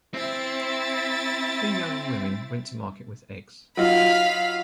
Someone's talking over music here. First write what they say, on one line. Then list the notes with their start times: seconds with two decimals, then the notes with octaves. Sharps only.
Three young women went to market with eggs.
0.14 C4 E4 E5 A6
3.77 F#3 D#4 F4 F5 B5